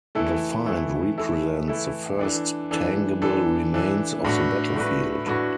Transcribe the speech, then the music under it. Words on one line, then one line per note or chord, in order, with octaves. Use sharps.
The find represents the first tangible remains of the battlefield.
E3 A3 E4 A4
E3 A3 E4 A4
E3 A3 E4 A4
E3 A3 E4 A4
E3 D4 A4
E3 D4 A4
E3 D4 A4
E3 D4 A4
A2 A3 D4 F#4 B4
A2 A3 D4 F#4 B4
A2 A3 D4 F#4 B4